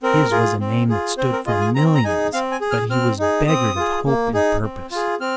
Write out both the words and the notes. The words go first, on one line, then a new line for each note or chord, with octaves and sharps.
His was a name that stood for millions, but he was beggared of hope and purpose.
C4 A#4
F4 G#4
C4
F4 G#4
C4 C5
A#4
F4 G#4 D#5
G#5
C4 A#5
A#5
D#4 G#4 G#5
C4 F5
G#5
G#4
F6
C4 F6
D#4 G#4
C4 D#6
F4 G#4
A#3
D#4 G#4
C4
F4 G#4
C4 F6